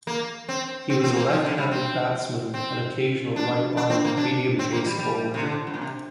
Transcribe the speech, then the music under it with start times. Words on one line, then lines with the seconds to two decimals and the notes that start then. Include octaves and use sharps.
He was a left-handed batsman, and occasional right-arm medium-pace bowler.
0.07 A#3
0.49 C4
0.90 C4
1.04 C4
1.17 A#3
1.30 F3
1.45 D3
1.58 G3
1.72 C4
2.54 C4
3.36 D4
3.77 D4
3.90 C4
4.04 A#3
4.17 D4
4.59 C4
4.73 A#3
4.86 G3
4.99 G3
5.34 C3
5.40 D3
5.67 G2
5.74 A#2
5.81 C3